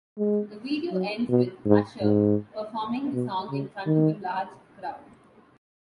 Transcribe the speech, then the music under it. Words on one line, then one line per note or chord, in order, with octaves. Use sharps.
The video ends with Usher performing the song in front of a large crowd.
G#3
F#3
B2
G#2
G#2
B2
C#3
D#3